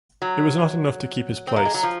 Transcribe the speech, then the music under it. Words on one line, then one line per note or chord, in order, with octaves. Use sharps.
It was not enough to keep his place.
F#3
C4
A#3
G#3
F#3
F3